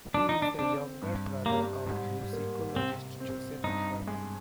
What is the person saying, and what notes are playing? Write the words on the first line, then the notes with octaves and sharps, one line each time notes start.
He is the younger brother of musicologist Joseph Kerman.
D#3 D4
D#4
D4
C4 D4
G2
G3 A#3
G#2
A#3
C3 C4
C4
G2 D#4
G#3